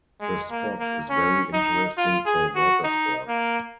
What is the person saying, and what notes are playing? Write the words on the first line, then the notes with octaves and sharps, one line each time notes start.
The spot is very interesting for watersports.
G#3
A#3
A#3
C#4
D#4
F4
G#4
F#4
D#4
A#3